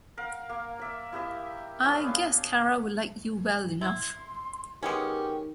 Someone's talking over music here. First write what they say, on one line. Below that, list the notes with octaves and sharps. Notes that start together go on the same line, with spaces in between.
I guess Cara‘ll like you well enough.
A#4 F5 F#5
A#3
D5 E5
E4 G4 D#5 E5
C#4 D4 E4 D#5
B3 F5
E4 C6
D#3 G#3 B3 C#4 G4 A#4